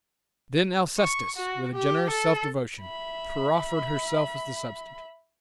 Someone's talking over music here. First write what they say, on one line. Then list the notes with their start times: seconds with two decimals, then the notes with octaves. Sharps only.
Then Alcestis, with a generous self- devotion, proffered herself as the substitute.
0.99 C#6
1.36 F#4
1.74 G4
2.11 A4
2.81 E5 B5